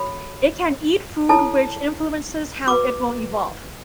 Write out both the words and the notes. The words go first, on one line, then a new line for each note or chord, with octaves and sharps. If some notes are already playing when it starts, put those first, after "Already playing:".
It can eat food which influences how it will evolve.
Already playing: F#4 A4 C#5 B5
E4 A4 C#5 A5
F#4 B4 D6